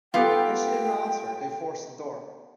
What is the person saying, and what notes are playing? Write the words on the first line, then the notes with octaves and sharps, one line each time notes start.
When she didn't answer, they forced the door.
B3 F4 G4 A4 G5